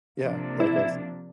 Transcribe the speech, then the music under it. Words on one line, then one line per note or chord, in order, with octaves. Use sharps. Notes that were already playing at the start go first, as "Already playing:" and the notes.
Yeah, likewise.
C3 F3 A#3 D4
E4